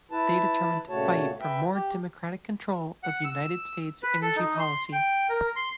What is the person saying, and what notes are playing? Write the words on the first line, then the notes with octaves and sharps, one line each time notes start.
They determined to fight for more democratic control of United States energy policy.
E4 B4 A5
A#2 C#3 A3 F#4 C#5 A5
B4 E5 G5
G4
F#5
E6
B4
A4
D#4
C6
G5
A#4
C6